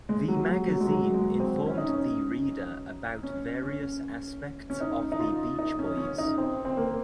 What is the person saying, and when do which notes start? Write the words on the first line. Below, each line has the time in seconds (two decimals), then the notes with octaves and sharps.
The magazine informed the reader about various aspects of the Beach Boys.
0.09 G#3
0.28 F#3
0.49 F#3
0.68 F#3
0.80 G#3
0.87 F#3
1.14 G#3
1.40 C4
1.66 C#4
1.77 D#4
1.88 C#4
3.23 C#4
3.62 C#4
4.70 C#4
4.81 D#4
5.12 D#4
5.19 F4
5.59 D#4
5.79 C#4
5.97 C#4
6.18 D#4
6.38 C4
6.65 C4
6.77 A#3